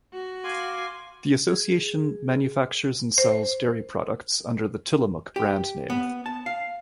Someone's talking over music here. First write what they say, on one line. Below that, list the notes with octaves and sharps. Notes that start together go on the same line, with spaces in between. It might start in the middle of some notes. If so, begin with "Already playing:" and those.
The association manufactures and sells dairy products under the "Tillamook" brand name.
F#4
F5 G#5 C6 D6
G#4
C5
G4
B3
A5
F5